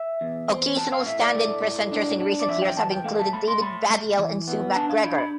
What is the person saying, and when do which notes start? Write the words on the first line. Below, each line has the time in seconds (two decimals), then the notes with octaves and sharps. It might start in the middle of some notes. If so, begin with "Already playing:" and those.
Occasional stand-in presenters in recent years have included David Baddiel and Sue MacGregor.
Already playing: E5
0.21 E2
0.49 C4
0.78 C4 A5
0.92 F5
1.06 A2 E5
1.20 D5
1.34 A3
1.63 A2
1.92 D4
2.19 D4
2.40 D5
2.48 F2 E5
2.62 G5
2.77 E3 A5
2.90 G5
3.04 A3 F5
3.19 A5
3.33 A3 B5
3.48 C6
3.62 A3 B5
3.90 A3
4.19 E3
4.47 B3
4.75 D4 A5
4.90 F5
5.04 D4 B5
5.18 B5